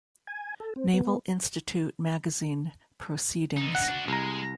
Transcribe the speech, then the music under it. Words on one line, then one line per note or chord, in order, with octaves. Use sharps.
Naval Institute magazine "Proceedings".
G#5
A4
C4
B3
D3 D#4
F#5
D4 F#4
C2 G#3 A#5